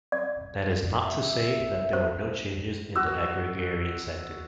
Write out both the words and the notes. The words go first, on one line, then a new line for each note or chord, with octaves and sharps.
That is not to say that there were no changes in the agrarian sector.
D5
E5
C5
F#4 E6